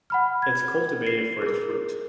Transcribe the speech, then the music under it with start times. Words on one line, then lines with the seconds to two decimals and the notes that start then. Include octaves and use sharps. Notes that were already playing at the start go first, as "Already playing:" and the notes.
It is cultivated for its fruit.
0.10 F#5 B5 F6
0.42 G#6
1.07 C7
1.42 G#4 A#4